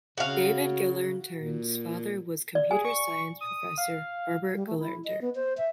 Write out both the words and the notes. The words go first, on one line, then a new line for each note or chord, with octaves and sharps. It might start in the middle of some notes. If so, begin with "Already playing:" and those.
David Gelernter's father was computer science professor Herbert Gelernter.
C#3 F#4 F5
A#2
D5
G#4 G#5
C#6
D#6
F5
G3
A3
E4
D#5
B3
C5
E5